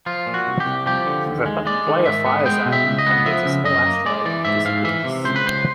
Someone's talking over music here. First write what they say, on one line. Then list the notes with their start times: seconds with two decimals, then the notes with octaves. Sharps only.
If a player fires at and hits a small asteroid, it disappears.
0.06 F3 F4
0.27 A#2
0.34 F#4
0.47 C2
0.60 G4
0.66 C2
0.86 F3 G4
1.06 D3
1.26 D#2
1.46 G#3
1.66 G#3 D5
1.87 D#3
2.06 G#2 E5
2.26 B3
2.46 G#3 G5
2.65 B2
2.72 E5
2.85 C#2
2.98 D#5
3.06 B3
3.26 F3 E5
3.45 C#3
3.65 F#2 D#5
3.86 A#3
4.06 G#3 D5
4.25 E3 D5
4.45 G#2 E5
4.65 G#2 F5
4.84 E3 E5
5.04 C3
5.24 C#2 C5
5.36 B4
5.45 C#2 C5